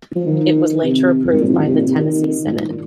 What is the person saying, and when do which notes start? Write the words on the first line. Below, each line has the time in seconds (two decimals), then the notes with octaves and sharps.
It was later approved by the Tennessee Senate.
0.16 F3
0.26 D#3
0.83 C3
1.25 F2
1.33 G#2
1.41 A#2
1.49 C3
1.54 F3
1.58 D#3
1.67 C3
1.77 A#2
1.86 C3
1.96 D#3
2.47 G#2
2.52 A#2